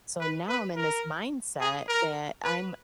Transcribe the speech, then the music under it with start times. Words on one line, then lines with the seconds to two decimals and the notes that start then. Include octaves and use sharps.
So now I'm in this mindset that I'm
0.20 B4
0.48 B4
0.76 A#4
1.60 G#4
1.88 A#4
2.45 B4